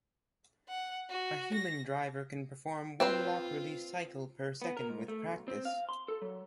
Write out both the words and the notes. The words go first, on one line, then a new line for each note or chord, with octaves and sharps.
A human driver can perform one lock-release cycle per second with practice.
F#5
F#4
A#6
C4 F4 B4 C5
B3
A#4
G#2
A3
B1
C4
F5
C6
A4
F#3